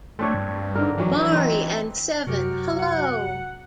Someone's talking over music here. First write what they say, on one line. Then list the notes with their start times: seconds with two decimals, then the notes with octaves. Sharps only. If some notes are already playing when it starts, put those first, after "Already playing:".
Mari and seven Hello!
0.19 A3 C4 D4 C#5
0.34 G2
0.76 G#2 D3 A#4
0.98 E3 F#3 G4
1.32 C4 D#4
2.27 F#2 C3 F#3 F#4 G4 A#4
2.79 F#5